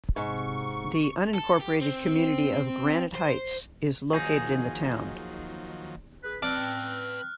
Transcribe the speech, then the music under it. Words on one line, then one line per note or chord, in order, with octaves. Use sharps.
The unincorporated community of Granite Heights is located in the town.
G#2 C3 C#6
A4
G4
C4
C5
D#2 D#3 F3 F#3 D#4 G#4
G#4 B4
C4 B4 D5 A5 F6 F#6